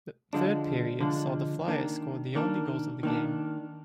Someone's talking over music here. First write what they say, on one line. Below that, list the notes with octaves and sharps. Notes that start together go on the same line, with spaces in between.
The third period saw the Flyers score the only goals of the game.
D3 F3 G#3 D4
D3 F3 G#3 D4
D#3 A#3 D4
D#3 A#3 D4
D#3 A#3 D4